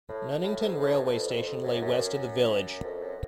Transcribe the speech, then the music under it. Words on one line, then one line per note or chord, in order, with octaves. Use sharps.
Nunnington railway station lay west of the village.
A2
A2
G#2
A2
G2
F2
F2
F2
F#2
F#2
F#2
F2
F#2